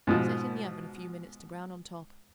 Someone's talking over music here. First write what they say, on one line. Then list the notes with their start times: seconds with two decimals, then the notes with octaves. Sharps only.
Set in the oven a few minutes to brown on top.
0.07 G#2 B2 F3